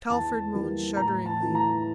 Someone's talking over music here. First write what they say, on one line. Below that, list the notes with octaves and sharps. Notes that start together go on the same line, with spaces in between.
Telford moaned shudderingly.
E2 A5
E3 G3 A#3
A2 A#5
A5
E3 A3
A#5